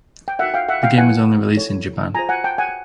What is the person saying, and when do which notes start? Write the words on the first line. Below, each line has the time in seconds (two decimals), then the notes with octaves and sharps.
The game was only released in Japan.
0.28 G5
0.39 D#4 F#4 A#4 E5 F#5
0.54 F5 G5
0.69 E5 F#5
0.83 F5 G5
0.98 E4 G4 B4 F#5 G#5
1.56 E4 A4 C#5
2.15 F4 G#4 C5 G#5 A#5
2.29 F#5 G#5
2.44 G5 A5
2.58 F#5 G#5